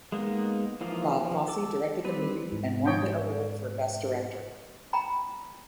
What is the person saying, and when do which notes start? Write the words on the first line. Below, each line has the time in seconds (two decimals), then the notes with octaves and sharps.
Bob Fosse directed the movie and won the award for Best Director.
0.12 G#3 A#3 B3 D#4
0.81 E3 F3 A#3 D#4 F4
1.19 F3
1.48 A4 D6
2.05 G3 C4 B4
2.52 G#2
2.85 C#5 D#5 G5
4.93 G5 A#5 B5